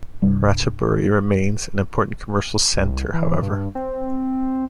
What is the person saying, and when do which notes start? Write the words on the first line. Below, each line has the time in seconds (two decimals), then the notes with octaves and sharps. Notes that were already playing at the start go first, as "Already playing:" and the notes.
Ratchaburi remains an important commercial centre, however.
0.22 C2 G2
2.78 C2
3.14 E3
3.42 G2
3.75 C4